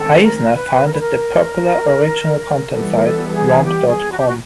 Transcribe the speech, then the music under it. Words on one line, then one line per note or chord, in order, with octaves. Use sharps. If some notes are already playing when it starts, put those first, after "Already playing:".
Eisner founded the popular original content site, Romp dot com.
Already playing: D#3 G#3 C4 A4
A#4
B4
A#4
B4
A#4
E3 G3 B3 A4
A#4
A4
A4
G#4
G4
G#4
F#4
G4
F#4